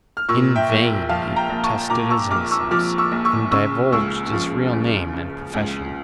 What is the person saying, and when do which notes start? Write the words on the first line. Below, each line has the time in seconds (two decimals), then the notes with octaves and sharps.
In vain he protested his innocence, and divulged his real name and profession.
0.17 F6
0.29 A#2 C#6 E6
0.55 E5 G5
0.69 A#1
1.09 F3 F5 A5
1.36 G5 A#5
1.50 A#1
1.64 A5 C#6
1.90 A#2 A#5 D6
2.10 C#6 E6
2.30 A#1 D6 F6
2.51 C#6 E6
2.71 F3 D6 F6
2.98 C#6 E6
3.12 A#1
3.25 C#6 E6
3.51 C#3 C#6 E6
3.92 C#2 C#6 E6
4.33 F3
4.73 C#2
5.13 C#3
5.54 C#2